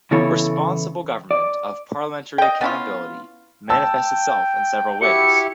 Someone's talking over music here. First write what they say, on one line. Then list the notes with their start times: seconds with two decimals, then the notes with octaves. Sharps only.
Responsible government of parliamentary accountability manifests itself in several ways.
0.11 C#3 E3 B3 E4 A4 C#5
1.31 D5
2.38 D#5 G5
2.61 B3 C#4 E4 F4
3.70 G5 A5 E6
5.02 E4 F#4 G4 C#7